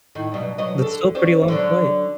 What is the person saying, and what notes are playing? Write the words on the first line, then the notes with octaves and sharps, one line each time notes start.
That's still a pretty long flight.
A2 D#3
G2 B2 F#3
B2 F#3 D#5
D3 A4
C#4 C5 D5
D3 F#3 D4